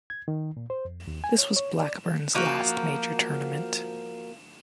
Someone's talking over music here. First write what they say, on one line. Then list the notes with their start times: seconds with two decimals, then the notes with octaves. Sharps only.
This was Blackburne's last major tournament.
0.10 G#6
0.28 D#3
0.57 A#2
0.70 C5
0.85 F2
1.07 D#2
1.24 G#5
1.38 C#5
1.56 C#5
1.78 D5
2.34 F3 A#3 F#4